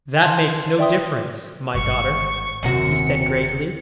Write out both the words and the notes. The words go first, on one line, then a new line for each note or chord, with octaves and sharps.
"That makes no difference, my daughter," he said gravely.
A5 C6
D5 E5 G5 C6 D#6
G#1 G2 C#6
D#1 F#2 C3 D#3 F#4 C#7